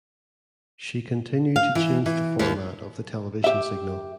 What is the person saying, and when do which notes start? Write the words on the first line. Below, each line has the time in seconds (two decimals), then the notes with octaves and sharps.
She continued to change the format of the television signal.
1.56 F5
1.75 E3
2.06 E3
2.39 D#2
3.44 G4 E5